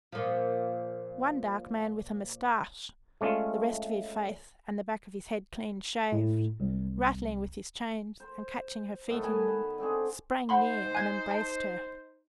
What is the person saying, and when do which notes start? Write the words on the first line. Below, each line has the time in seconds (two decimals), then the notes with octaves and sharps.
One dark man with a moustache, the rest of his face and the back of his head clean shaved, rattling with his chains and catching her feet in them, sprang near and embraced her.
0.12 A#2 F3
3.21 G#3 A3 C#4 F4
6.12 A2
6.60 C2
8.20 C5
9.07 A2 D#3 A3 B3
9.23 B4 G#5 A5 B5
9.78 D3 C4 D4 G#4
10.49 D#4 C5 F#5 B5 C6
10.95 G#5 F#6 G#6
11.31 A5